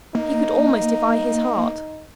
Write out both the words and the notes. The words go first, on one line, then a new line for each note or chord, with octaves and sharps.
He could almost defy his heart.
A#3 D#4